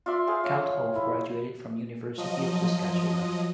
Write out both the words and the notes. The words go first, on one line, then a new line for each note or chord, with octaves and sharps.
Kalthoff graduated from University of Saskatchewan.
F4 D5 E5 C6
G#4 C5 F5
C#5
E4
F3 F#3 D#5